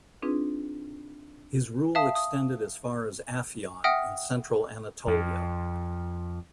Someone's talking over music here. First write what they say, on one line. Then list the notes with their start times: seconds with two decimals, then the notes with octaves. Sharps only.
His rule extended as far as Afyon, in central Anatolia.
0.22 C4 D4 D#4 F4 G#4 B4
1.95 E5 F5 A5 D#6
2.15 D#6
3.84 E5 F#5 G5 D#6 F6 A#6
5.07 F2